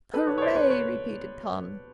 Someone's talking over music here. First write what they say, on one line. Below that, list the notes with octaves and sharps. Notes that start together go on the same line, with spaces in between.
"Hooray!" repeated Tom.
A4 B4
B4 C#5
C#5
C5 D5
B4 C#5
B4 C#5